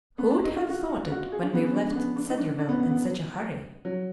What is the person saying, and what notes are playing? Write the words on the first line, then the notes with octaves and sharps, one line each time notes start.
"Who would have thought it when we left Cedarville in such a hurry?"
B3
D4
D#4
F4
F#4
F#4
G#4
D4
B3
B3
D4
D4
B3
D4
D#4
D4
D4
B3
B3
B3
F#3